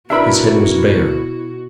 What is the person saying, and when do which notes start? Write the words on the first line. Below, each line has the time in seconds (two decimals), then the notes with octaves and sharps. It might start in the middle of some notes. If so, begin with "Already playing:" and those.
His head was bare.
0.10 B2 D4 E4 F#4 A#4 B4 E5 B5